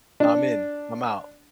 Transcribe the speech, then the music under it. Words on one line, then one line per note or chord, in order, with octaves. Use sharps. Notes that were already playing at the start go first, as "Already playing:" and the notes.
"I'm in. I'm out."
D4